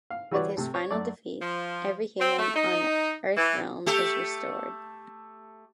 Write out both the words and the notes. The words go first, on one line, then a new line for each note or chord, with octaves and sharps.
With his final defeat, every human on Earthrealm is restored.
F5
E3 G3 F#4 B4 C#5 D5
C3 A3
C#5
F#2 A3 D5
F3
C4
A3
D#4
E3
A3 G4 A4